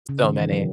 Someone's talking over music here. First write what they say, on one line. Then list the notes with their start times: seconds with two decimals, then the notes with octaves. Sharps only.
So many.
0.09 C#3
0.23 D#3
0.37 E3
0.52 F#3